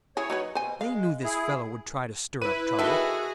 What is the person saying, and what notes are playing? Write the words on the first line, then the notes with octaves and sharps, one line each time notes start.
They knew this fellow would try to stir up trouble.
E4 G#4 C#5
F#3 D#4 B4
B2 C5 G#5
G#3 F5
E4 G#4
E4 B4 D#7
D#3 F#4 G#4 A4 E5